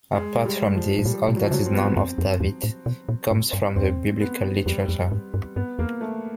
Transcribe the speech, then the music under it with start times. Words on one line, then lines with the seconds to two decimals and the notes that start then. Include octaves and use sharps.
Apart from these, all that is known of David comes from the biblical literature.
0.15 G#3
0.45 G3
0.75 F3
0.99 A2
1.05 A#2 G3
1.28 B2
1.36 F#3
1.45 F3
1.51 C#3 F#3
1.65 C4
1.74 B3
1.81 C4
1.96 F#2
2.18 F2
2.40 E2
2.63 A2
2.86 B2
3.09 A#2
3.31 G#2
3.53 G2
3.76 E2 C4
4.21 B3
4.66 F2 G3
4.89 F2
5.12 G#2
5.34 G2
5.56 G2 B3
5.79 E2 A#3
6.01 A3